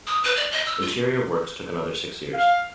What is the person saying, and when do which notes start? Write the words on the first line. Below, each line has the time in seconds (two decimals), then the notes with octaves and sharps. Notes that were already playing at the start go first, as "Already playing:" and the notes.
Interior works took another six years.
0.07 D#6
0.24 B4
0.36 D5
0.51 D#5
0.66 E6
0.81 F4
2.34 F5